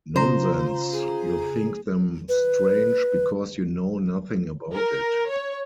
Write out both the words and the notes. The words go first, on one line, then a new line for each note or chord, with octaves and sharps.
Nonsense; you think them strange, because you know nothing about it.
C#3 F4 C5 A#5
G#4
B4
A#4
C#5